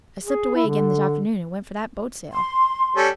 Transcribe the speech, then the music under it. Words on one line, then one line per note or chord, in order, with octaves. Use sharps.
I slipped away again this afternoon and went for that boat sail.
G#4
E4
D3
C6
G3 C#4 A4